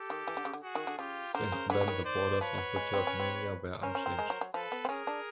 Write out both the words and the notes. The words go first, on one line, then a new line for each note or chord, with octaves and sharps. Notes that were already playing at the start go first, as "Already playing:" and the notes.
Since then the borders of the Turkmenia were unchanged.
Already playing: G4 A4
D#3
E3
D3
C#3
D3
F#4 G#4
D#3
D3
C#3 F4 G4
D3 A#4 C5
C#3
D3 B4 C#5
D3
D#3
C5 D5
F3 B4 C#5
F#3
G#3
C4
C#4
C4
C#4 A#4 C5
C#4
C4
G#3
F#3
F#3
F3 A4 B4
B3
C4
C#4 G#4 A#4
D4